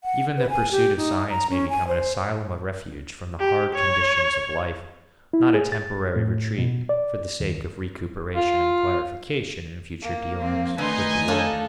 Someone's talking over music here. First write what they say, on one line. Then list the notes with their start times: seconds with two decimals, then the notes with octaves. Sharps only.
Even the pursuit of science may become an asylum of refuge from the hard conditions of life--not a temporary retreat for the sake of recuperation and clarification in future dealings with the world.
0.04 F#5
0.37 B4
0.50 G#5
0.71 G4
0.97 D#4
1.30 A#5
1.50 C#4
1.69 G#5
1.88 C5
3.40 G4
3.75 C#5
5.33 E4
5.54 G#4
5.72 A6
6.16 A2
6.58 B2
6.89 D5
7.40 D#2
8.36 F4
10.02 A#3
10.39 F3 C4
10.78 D3 D#3 A3 D#4 B4 G#5 C6
11.28 D4 F4 A4